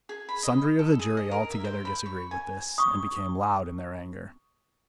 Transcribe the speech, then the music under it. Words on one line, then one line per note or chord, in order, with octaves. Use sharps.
Sundry of the jury altogether disagreed with this, and became loud in their anger.
G#4
B5
D#5
A4
G#4
D#5
A#4
E5
C5
B5
C#6
G#5
C#6 D#6